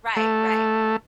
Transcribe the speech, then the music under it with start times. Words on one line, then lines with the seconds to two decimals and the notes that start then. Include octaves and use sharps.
Right, right.
0.16 A3